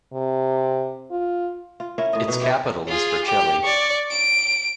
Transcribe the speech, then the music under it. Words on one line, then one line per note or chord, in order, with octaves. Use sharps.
Its capital is Vercelli.
C3
F4
F4
C#4 E4 A#4
A2 D#5
B2 D#4
E4 G4
F4 G#4
G4
D5 C#6
D7